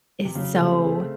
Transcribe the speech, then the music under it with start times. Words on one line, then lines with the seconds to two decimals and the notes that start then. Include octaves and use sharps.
is so
0.25 C3
0.35 C#3 F#3
0.54 A3
0.60 C3
0.66 A3
0.72 C4
0.84 G#4
0.89 A3